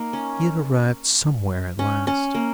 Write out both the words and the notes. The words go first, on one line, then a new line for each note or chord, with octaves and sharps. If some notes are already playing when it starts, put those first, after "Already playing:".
He had arrived somewhere at last.
Already playing: A#3 D#4
C#4
C#4
C#4
A#3